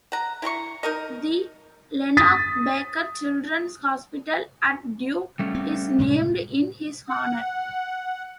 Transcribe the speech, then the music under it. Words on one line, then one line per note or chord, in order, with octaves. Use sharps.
The Lenox Baker Children's Hospital at Duke is named in his honor.
F#5 A#5
E4 A#5 C6 C#6
D#4 A#4 D#5
D#6 A6 B6
G3 A3 C#4
C4
A2 C3 G#3
F#5